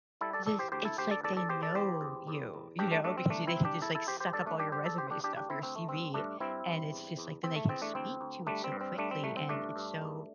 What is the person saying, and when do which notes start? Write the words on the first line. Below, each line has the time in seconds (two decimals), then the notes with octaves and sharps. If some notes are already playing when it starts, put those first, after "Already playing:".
this it's like they know you you know, because they can just like suck up all your resume stuff or your CV, and it's just like then they can speak to it so quickly, and it's, so,
0.21 G3 E4 A4
0.33 A4 D5
0.46 E2 A4 D5
0.59 G4 C5
0.72 D2 G4 C5
0.85 E4 A4
0.98 D2 G4 C5
1.11 A4 D5
1.23 E2 A4 D5
1.37 A4 D5
1.49 E2 G4 C5
1.63 A4 D5
1.75 E2 G4 C5
2.01 E2
2.27 E2
2.53 E2
2.79 G2 D4 G4
2.92 A3 D4
3.04 G2 A3 D4
3.18 C4
3.30 C2 A3 D4
3.47 C4 E4
3.56 C2
3.65 D4 G4
3.82 E2 E4 A4
3.95 E4 A4
4.08 E2 G4 C5
4.20 G4 C5
4.33 G2 A4 D5
4.46 A3 D4
4.59 G2 D4 G4
4.72 G4 C5
4.85 E2 A4 D5
4.98 G4 C5
5.11 E2 D4 G4
5.24 D4 G4
5.37 D2 D4 G4
5.50 C4 E4
5.63 D2 C4
5.76 A3
5.89 G2 C4
6.14 G2 A3 D4
6.40 G2 C4 E4
6.66 G2
6.92 E2
7.17 E2
7.43 E2 C4
7.56 A3
7.69 E2 C4
7.82 A3 D4
7.95 D2 C4
8.21 D2
8.47 G3 A3 D4
8.64 C4
8.72 G2
8.81 C4
8.98 G3 A3 D4
9.11 C4
9.24 C2 A3
9.37 C4
9.49 G2 A3 D4
9.76 G2
10.02 E2